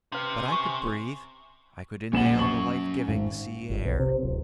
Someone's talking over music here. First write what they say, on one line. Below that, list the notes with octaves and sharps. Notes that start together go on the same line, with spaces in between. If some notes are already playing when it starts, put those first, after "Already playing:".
But I could breathe, I could inhale the life-giving sea air.
C3 C#4 B4
G#5 C#6
A#1 C#4 F#5 E7 F#7
C#6 F#7
G#1
G1
B1
C3
D1